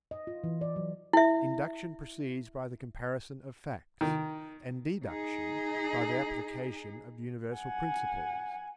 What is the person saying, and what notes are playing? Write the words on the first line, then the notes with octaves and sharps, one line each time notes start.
Induction proceeds by the comparison of facts, and deduction by the application of universal principles.
D#5
F4
E3
D5
F#3
E4 E5
D#3
D#4 G#4
F#5 G#5